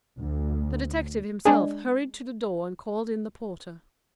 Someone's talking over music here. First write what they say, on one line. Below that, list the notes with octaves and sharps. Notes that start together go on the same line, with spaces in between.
The detective himself hurried to the door and called in the porter.
D2
G#3 D4 G#4